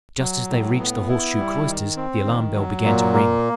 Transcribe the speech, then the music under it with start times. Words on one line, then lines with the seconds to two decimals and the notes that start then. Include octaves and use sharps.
Just as they reached the Horseshoe Cloisters, the alarm-bell began to ring.
0.20 F#3
0.49 A2
0.79 B3
1.09 E4
1.38 G3
1.67 D#3
1.97 C4
2.25 D#3
2.55 F#3
2.84 A#2
3.13 A#3